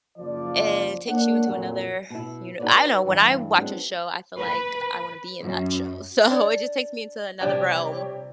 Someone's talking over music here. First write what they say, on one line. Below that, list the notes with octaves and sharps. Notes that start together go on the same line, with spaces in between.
it takes you into another, you kn I don't know, when I watch a show, I feel like I wanna be in that show. So, it just takes me into another realm.
F#1 F3 F4 D5
A#3 D4 C#5 F#5
F2 A#2 F#3
B2 E4
D#4 F#4 G#4 B4 C#5 D5
G2 E3
F3 F#3 G#3 B3 C4 D4
B4
F#2
D4 C#5
C3 F3 G3 D4 G4 C#5